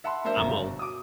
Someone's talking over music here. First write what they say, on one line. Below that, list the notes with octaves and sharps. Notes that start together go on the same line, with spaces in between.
I'm old.
E5 F#5 A5 B5 C6
F#3 A#3 D4 C5 E5
F#1 F2 A#5
G1
B2
D6 D#6